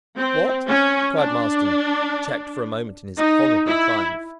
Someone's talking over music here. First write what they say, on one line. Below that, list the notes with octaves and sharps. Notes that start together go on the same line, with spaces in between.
"What?" cried Marsden, checked for a moment in his horrible triumph.
C4
C#4
D4
D#4
E4